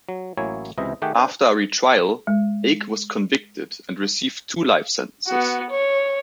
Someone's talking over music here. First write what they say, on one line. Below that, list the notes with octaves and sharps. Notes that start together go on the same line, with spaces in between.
After a retrial, Ake was convicted and received two life sentences.
F#3
A1 F#3 A#3 E4 C#5 G#5
C#2 C3 E3 E4 D#5
D#3 A3 G4 G#4 F#5 G5
D4 B4 C5
G#3
B3 F#4
C#5